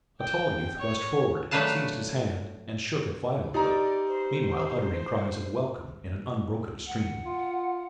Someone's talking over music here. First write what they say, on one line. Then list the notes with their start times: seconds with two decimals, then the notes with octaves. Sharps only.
A tall youth rushed forward, seized his hand and shook it violently, meanwhile uttering cries of welcome in an unbroken stream.
0.21 G5
0.79 C#5
1.51 F#3 A3 D4 B4 F5 A5
3.54 D#4 G4 B4 D5 A#5
4.08 C5
6.87 F#5
7.25 F4